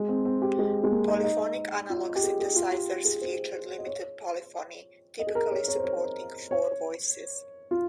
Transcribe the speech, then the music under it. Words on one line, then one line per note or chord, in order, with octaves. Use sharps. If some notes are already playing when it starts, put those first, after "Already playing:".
Polyphonic analog synthesizers featured limited polyphony, typically supporting four voices.
Already playing: G#3
C4
C4
G4
G#3
G#3
A#3
D#4
D#4
F4
G4
G#4
G#4
F4
G4
G#4
C5
D#5
C#5
D#5
G#4
A#4
C#5
C#5
C5
C#5
C#5
F4